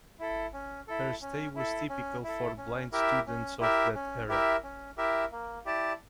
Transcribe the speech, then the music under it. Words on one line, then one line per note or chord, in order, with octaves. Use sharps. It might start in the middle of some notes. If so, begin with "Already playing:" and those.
Her stay was typical for blind students of that era.
E4 A4
C#4
E4 A4
C#4
E4 A4
C#4
E4 A4
C#4
E4 G4 A#4 E5
C#4
E4 G4 A#4 E5
C#4
E4 G4 A#4 E5
C#4
E4 G4 A#4 E5
A#3
E4 G4 D5 A5